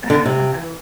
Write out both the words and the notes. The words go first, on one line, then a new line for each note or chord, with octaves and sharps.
Ah, I l
D3
C3